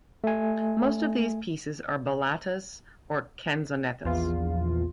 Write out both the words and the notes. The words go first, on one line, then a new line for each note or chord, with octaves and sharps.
Most of these pieces are ballatas or canzonettas.
A3 G#5
A#1 E2 F4